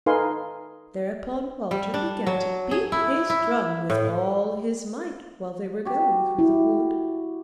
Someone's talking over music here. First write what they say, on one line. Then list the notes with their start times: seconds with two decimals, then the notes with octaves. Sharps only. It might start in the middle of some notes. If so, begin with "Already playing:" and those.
Thereupon Walter began to beat his drum with all his might while they were going through the wood.
0.06 D#4 A4 B4 F5 G#5 C6
1.71 G3
1.94 D4
2.27 F#3
2.71 G#4
2.92 E4
3.30 E4
3.90 A2
5.85 F#4 G4
6.39 E4